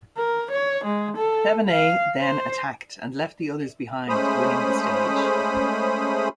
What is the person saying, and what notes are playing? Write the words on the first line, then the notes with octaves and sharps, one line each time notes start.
Thevenet then attacked, and left the others behind, winning the stage.
A#4
C#5
G#3
A4
F5
C5
G#3 A3 C#4 C5 B5 D#6